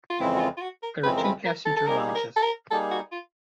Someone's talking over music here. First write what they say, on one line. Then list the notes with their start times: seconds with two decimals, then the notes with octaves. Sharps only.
There are two passenger lounges.
0.10 F4
0.20 F2 C#3 E3 G#3 C4 E4
0.36 F#4
0.40 F4
0.57 F4
0.62 F#4
0.83 A#4
1.04 F2 C#3 E3 G#3 C4 B4
1.17 A#4
1.24 B4
1.46 A#4
1.66 A4
1.77 A4
1.87 G3 A#3 D#4 G#4 A#4
2.15 A#4
2.36 A4
2.43 A#4
2.71 G3 A#3 D#4 G#4 A4
2.91 F#4
3.12 F4